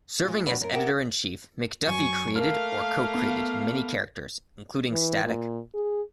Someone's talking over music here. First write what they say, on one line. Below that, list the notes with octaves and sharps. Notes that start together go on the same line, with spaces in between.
Serving as editor-in-chief, McDuffie created or co-created many characters, including Static.
G#3 F4
D3 F#3 G3 B3 B4
F#2 A#4
G4 G#4 A#4 E5 F#5 G5
F#2 G#5 C#6
A3 A#3 A#4 F5 F6
B3
E3
A#2
G#4